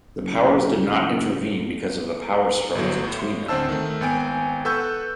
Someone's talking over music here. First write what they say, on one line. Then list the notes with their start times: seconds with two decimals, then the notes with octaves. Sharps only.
The Powers did not intervene because of the power struggles between them.
0.21 F#1
2.75 G1 A2 F#3
3.03 A2
3.48 D2 C4 D4 C5 A5 E6
3.69 D#3 A3
4.01 G#1 B3 G5 G#5 D7
4.65 A4 B4 F#5 C#6 E6 G6